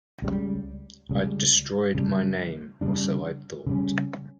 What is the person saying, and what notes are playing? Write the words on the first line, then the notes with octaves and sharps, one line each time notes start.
I'd destroyed my name, or so I thought.
C#2 C#3 G3
C#2 C#3 G3
C#3 G3 D4
C#3 G3 D4
C#3 G3 C#4